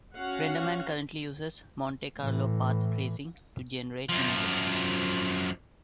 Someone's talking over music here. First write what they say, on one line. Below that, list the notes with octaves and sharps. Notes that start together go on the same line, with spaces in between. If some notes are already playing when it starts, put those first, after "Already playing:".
RenderMan currently uses Monte Carlo path tracing to generate images.
C#4 F#4 F5 F#5
A2 E3
F#2 F3